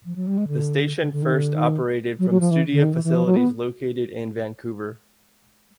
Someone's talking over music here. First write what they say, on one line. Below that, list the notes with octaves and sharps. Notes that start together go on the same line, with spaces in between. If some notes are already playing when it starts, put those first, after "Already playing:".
The station first operated from studio facilities located in Vancouver.
F3
F#3
G3
G#3
D3
D3
D3
D#3
D3
D#3
F#3
F#3
F3
E3
D3
D#3
E3
E3
F3
F#3
B3